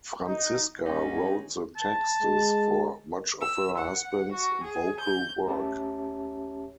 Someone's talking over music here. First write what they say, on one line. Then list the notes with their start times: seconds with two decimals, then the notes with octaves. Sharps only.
Franziska wrote the texts for much of her husband's vocal work.
0.23 D#4
0.86 G#2 G3 G#3 C#4 D#4
1.76 A5
2.22 G#3
3.42 E6
3.78 F#5
4.32 F#4
4.64 G#4
5.01 G6
5.46 D2 C#4 G4 C#5 E5 A5